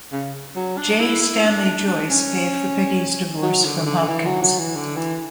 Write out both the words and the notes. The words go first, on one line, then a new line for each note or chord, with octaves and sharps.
J. Stanley Joyce paid for Peggy's divorce from Hopkins.
C#3
F#3
D4
E4
E4
D4
D4
D4
C#4
F#3
D3
D3
D3
E3
F#3
F#3
E3
D3
E3